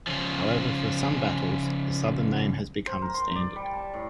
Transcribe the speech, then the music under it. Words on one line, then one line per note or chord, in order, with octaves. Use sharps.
However, for some battles, the Southern name has become the standard.
C#3 F3
C5
A#4
C6
D5
G3
A5
A2